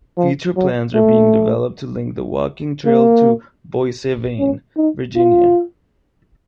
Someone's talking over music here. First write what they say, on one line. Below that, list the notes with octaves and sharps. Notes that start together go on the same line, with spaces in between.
Future plans are being developed to link the walking trail to Boissevain, Virginia.
F3
F#3
A3
A#3
C#4
D#4
F4